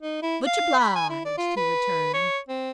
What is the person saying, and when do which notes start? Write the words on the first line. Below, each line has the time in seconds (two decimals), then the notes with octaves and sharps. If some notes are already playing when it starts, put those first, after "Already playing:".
"Much obliged," he returned.
0.01 D#4
0.22 E4
0.46 F5
0.79 B5
0.95 G#5
1.10 E4
1.25 D5
1.37 F4
1.56 B4
2.14 C#5
2.49 C4